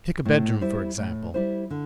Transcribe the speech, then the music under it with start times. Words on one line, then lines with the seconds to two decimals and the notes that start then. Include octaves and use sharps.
Take a bedroom, for example.
0.25 A2
0.61 G3 E4 C5
0.97 A2
1.34 G3 E4 C5
1.70 D3